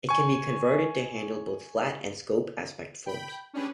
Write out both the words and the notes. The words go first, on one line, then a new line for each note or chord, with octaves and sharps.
It can be converted to handle both Flat and Scope aspect films.
G#5 C#6
G5 B5
C#4 D4 G4 G#4 B4